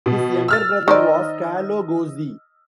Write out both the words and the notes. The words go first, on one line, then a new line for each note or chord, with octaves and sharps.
His younger brother was Carlo Gozzi.
B2
E6 F6 A6
D#3 C5 D5 D#5